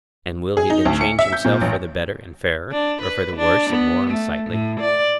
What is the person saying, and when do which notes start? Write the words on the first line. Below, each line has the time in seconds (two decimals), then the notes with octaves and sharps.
And will he then change himself for the better and fairer, or for the worse and more unsightly?
0.57 G#4
0.70 D#4
0.85 D2
1.01 C#7
1.19 E5
1.33 G6
1.45 A#2
1.61 A1
2.72 D4
3.03 B4
3.37 D4
3.70 B3
4.10 A3
4.50 A2
4.81 D5